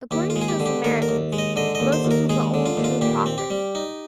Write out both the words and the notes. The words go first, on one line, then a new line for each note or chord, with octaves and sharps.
According to the Samaritans, Moses was the only true prophet.
D#2 G4
F4
G#3
G#4
G4
D3
G4
D#2 A#4
A#4
D#2
G#3
D#5
D3 D#5
D#5
D#2
C5
D#2
A#4
G#3 G#4
D3
F4
D#2
F4
A#2 G4
C4
G4
G3
D#4